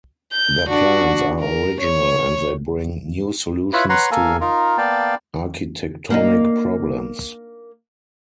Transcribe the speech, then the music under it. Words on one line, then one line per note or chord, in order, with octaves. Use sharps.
Their plans are original and they bring new solutions to architectonic problems.
G6
D4 F#4
A#4
C#5
E4 F4 B4 C#5 B5
B4 C#5 F#5 A#5 C6
A#3 A4 A#4 F5 G#5
D#4 F4 A#4
A#3 B3 D5 F5 G5 A5
A#3 D4 D#4